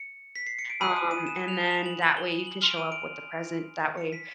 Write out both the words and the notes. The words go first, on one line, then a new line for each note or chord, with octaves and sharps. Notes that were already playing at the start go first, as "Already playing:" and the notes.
Um, and then that way, you can show up with the present. That way,
Already playing: C#7
B6
C7
C#7
D7
G#5 B5 D#6 F#6 D#7
D#7
D#7
E7
F7
E7
F7
F#7
F#7
G7
G7
F#7
C6 F6 F7
D7
D#7
D7
C#7
B6